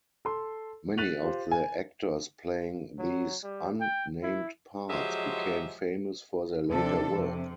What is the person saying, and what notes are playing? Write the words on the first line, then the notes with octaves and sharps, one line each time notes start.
Many of the actors playing these un-named parts became famous for their later work.
A4 C6
F#6 A6 B6 D#7 F7 F#7
F4 G4 C5
G#5
F#3
G3
G5
E4
F3 F#3 G#3 G4 D#5 E5
D#2 C3 F3 D4 A4
F2 C3